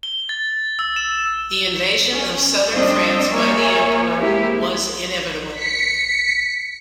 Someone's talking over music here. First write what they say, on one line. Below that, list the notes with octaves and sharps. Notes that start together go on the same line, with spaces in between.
The invasion of southern France by the Emperor was inevitable.
G7
A6
E6
E7
C#4
G3 C4 D4 D#5
A#3 A#4 C#5 E5 G#5
G#3 A#3 C4 E4 G4
B6 C#7